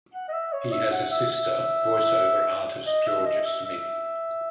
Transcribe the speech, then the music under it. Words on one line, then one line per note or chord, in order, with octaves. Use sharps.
He has a sister, voice over artist Georgia Smith.
F#5
D#5
E5
C#5
E5
F#5
E5
E5
D#5
E5
D#5
E5
E5